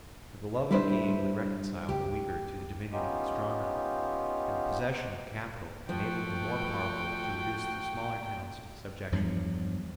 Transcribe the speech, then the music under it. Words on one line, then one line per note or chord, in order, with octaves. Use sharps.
For the love of gain would reconcile the weaker to the dominion of the stronger, and the possession of capital enabled the more powerful to reduce the smaller towns to subjection.
G3 D4 E4 B4 C5
C#2 G4
B3 C#4 D#4 F4 G4
F3 A3 F#4 G5
E2 G2 F3 F#3